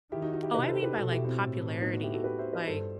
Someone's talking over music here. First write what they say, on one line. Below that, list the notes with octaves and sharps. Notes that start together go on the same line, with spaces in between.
Oh, I mean by, like, popularity. Like,
D#3 E4 G4
D#4 F#4
D#4 F#4
E4 G4
C3 B4 D#5
A4 C5
G4 B4
B2 F#4 A4
E4 G4
C4 E4
A2
B3 D#4
D#4 F#4
E4 G4
F#4 A4
G4 B4
C5 E5
B4 D#5
G2 A4 C5